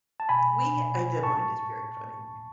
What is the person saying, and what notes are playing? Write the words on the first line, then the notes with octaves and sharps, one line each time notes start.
we h I the mind is very funny.
A5
B2 G#5 B5
B2
A2 A5 C#6